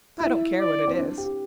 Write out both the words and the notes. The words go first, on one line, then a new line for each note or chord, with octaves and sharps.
I don't care what it is.
E4 E5
D5
C4
D4
G4